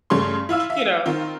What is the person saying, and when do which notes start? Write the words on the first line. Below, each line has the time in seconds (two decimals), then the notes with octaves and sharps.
you know?
0.10 G2 C#3 A3 C#4 C6
0.49 E4 F4 F5 E6
0.70 E5 F5
1.06 D#3 C4 F4